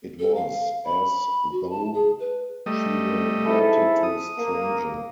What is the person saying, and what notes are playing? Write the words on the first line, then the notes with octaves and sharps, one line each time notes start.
It was as though she were writing to a stranger.
A4
F5
B5
F#4
A5
G#4
B4
G3 A3 D#5
G#2 E4 A4
D#6
A#3